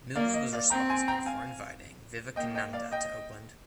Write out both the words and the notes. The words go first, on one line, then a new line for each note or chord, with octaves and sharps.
Mills was responsible for inviting Vivekananda to Oakland.
A#3 D5 F5
D#5
D5 F5
C4 G5 A#5
G#5 C6
G5 A#5
F5 G#5
A#3 D#5 G5
D#5 G5
D5 F5
D#5 G5